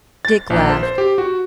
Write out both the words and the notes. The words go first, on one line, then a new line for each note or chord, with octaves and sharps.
Dick laughed.
A6
A#1
C5
C5
G4
F#4